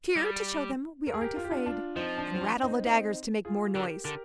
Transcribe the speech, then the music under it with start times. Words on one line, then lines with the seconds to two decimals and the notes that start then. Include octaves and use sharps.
'Cheer to show them we aren't afraid, and rattle the daggers to make more noise.
0.16 G3
1.07 A#4
1.14 G#4
1.21 G4 A#4
1.36 F4
1.44 G4
1.51 D4 F4
1.66 D4 F4
1.96 F3 C4 D#4
2.18 D4
2.34 C4
2.41 D4
2.63 C4 D#4
2.85 C4 D#4
3.45 F4 G#4
3.75 D3 G4 A#4
4.04 D3 G4 A#4